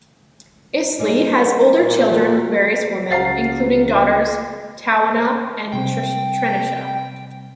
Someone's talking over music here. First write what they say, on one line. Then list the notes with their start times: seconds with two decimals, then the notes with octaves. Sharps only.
Isley has older children with various women, including daughters Tawanna and Trenisha.
0.99 G3 C#4 D#4
1.80 A#2
2.18 F#4
3.11 C#2 F#4 F5 A#5 A6 C7
5.73 C3 G3 C4 G5